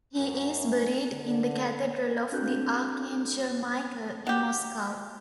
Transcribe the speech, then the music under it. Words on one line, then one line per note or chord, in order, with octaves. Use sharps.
He is buried in the Cathedral of the Archangel Michael in Moscow.
F#2
D3
C4 D4 F#4 A4 F#6 G6
F#3 G4